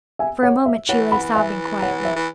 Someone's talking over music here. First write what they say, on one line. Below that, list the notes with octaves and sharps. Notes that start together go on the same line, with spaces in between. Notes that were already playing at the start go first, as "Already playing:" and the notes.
For a moment she lay sobbing quietly.
E5 G#5
C#5 F#5
E5
E3 C#5 F#5
F#5 B5
E5 G#5
C#5 F#5
E5
E3